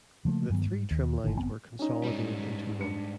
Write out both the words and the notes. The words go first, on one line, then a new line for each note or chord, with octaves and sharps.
The three trim lines were consolidated into one.
C#3 F3 A3 A#3
G2 D#3 F#3 B3
G#2
D#2
G1 A#2 D#3
F#1 G#2 B3 C4
C#4 D#4
G#2 G3
D4 C#7